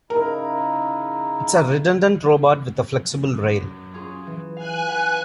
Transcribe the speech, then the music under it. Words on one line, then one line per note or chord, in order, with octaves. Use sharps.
It is a redundant robot with a flexible rail.
C#3 D#4 E4 A#4
F#2
C#4 F4 G#4
E3
F5 G#5 F#6
B4 F5 F#5